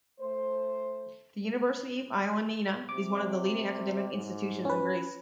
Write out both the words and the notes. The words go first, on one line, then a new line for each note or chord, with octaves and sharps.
The University of Ioannina is one of the leading academic institutions in Greece.
A3 C5
C3 D6
G#2
C#4 B4